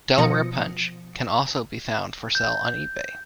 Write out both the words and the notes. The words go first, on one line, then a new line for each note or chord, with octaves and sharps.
Delaware Punch can also be found for sale on eBay.
B2 F3 D#6 A#6 C#7
G6